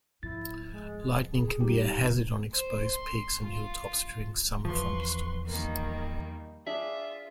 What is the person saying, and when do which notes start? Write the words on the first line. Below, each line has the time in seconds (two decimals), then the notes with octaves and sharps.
Lightning can be a hazard on exposed peaks and hilltops during summer thunderstorms.
0.23 G#2 F3 E4 A6
0.71 G#3
1.33 G#4
1.60 G3 D#4 G4
2.00 C#3
2.53 C5
2.85 C6
3.43 F4
4.65 E2 F3 B4 C6 C#6
5.46 D#3 G3 A#3
6.66 D4 F4 G#4 D5 E5